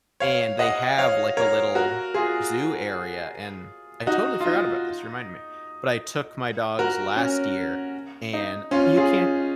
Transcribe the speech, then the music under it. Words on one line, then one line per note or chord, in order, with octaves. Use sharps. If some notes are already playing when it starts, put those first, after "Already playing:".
and they have, like, a little zoo area- and I totally forgot about this, you reminded me- but I took my dogs last year, and you can't
C#5 F5
D#5 F#5
C#5 F5
A#4 C#5
F#4 A#4
F4 G#4
D#4 F#4
F4
D#4
F#4 A#4
C#4
D#4
C#4 F4
F4 G#4